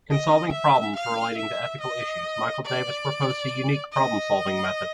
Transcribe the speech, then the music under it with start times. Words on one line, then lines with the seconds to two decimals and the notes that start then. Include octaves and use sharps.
In solving problems relating to ethical issues, Michael Davis proposed a unique problem-solving method.
0.11 D#5
0.52 E5
0.96 F5
1.37 E5
1.80 D#5
2.65 D5
3.92 D#5